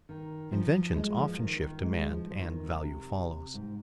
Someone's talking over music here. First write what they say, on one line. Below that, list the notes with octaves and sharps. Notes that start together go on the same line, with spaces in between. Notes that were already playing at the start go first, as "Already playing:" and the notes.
Inventions often shift demand, and value follows.
D#3
F3
G#3
F3
D#3
D#3
G#3
F3
F3
D#3
C3
G#2